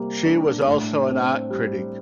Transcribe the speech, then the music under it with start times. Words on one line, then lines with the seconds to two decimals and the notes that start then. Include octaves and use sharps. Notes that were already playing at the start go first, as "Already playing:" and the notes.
She was also an art critic.
Already playing: C3 G3 A#3
0.25 D4
0.67 A2
1.09 C4
1.50 G3